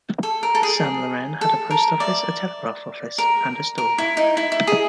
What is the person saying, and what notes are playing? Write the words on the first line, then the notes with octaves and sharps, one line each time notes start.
Saint Laurent had a post office, a telegraph office and a store.
A4
A#4
A4
G#4
A4
A#4
D5 E5
A#4
A#4
E4
D#4
E4
E4
G#4